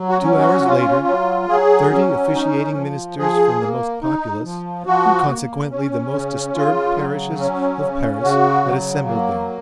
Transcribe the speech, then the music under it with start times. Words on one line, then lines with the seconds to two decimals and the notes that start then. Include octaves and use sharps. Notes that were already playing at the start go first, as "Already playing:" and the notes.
Two hours later, thirty officiating ministers from the most populous, and consequently the most disturbed parishes of Paris had assembled there.
Already playing: F#3
0.09 F#4
0.23 C#4
0.38 F#4
0.65 F4
1.07 F#3
1.49 F#3 G#4
1.92 C#4
2.34 D#4
2.75 F3
3.18 F3 G#4
3.60 A#3
4.02 D#4
4.44 F3
4.86 F3 F#4
5.29 A#3
5.71 C#4
6.12 C#3
6.54 C#3 F4
6.97 F#3
7.38 C#4
7.82 C#3
8.23 C#3 F#4
8.65 F#3
9.07 A#3